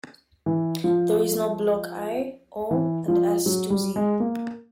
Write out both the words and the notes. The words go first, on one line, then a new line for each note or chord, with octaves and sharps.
There is no block I, O, and S to Z.
E3
F3
E3
F3
F#3
G3
G#3
A#3